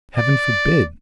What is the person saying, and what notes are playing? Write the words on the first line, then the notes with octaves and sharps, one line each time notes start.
Heaven forbid!
D5